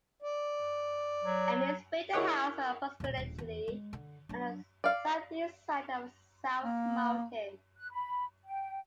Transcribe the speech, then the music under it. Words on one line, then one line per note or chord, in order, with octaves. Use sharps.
Ames built a house on approximately on the southeast side of South Mountain.
D5
F#3
E4 G#4 A#4 C#5 D#5 F#5
D#1 A#2
D#1 A#1
E2
G#3
D3
F#3 D4
D5 F5
A#3
F#6
B5
G5